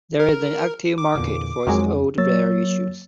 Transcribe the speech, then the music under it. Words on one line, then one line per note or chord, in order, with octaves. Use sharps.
There is an active market for its old, rare issues.
A#4
D6
E2 A#2 D3
F2 D#3 F#3 G#3
F#3 A#3 C#5 E6 A6